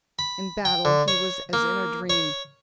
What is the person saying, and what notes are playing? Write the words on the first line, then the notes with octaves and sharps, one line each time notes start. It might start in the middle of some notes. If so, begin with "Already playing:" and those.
In battle he was as in a dream.
B5
G5
D3
C#5
A#3
C#5